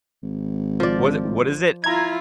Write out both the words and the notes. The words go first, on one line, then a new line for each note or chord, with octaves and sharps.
Was it what is it?
G#1
F3 D5
E4 F4 A#5 G#6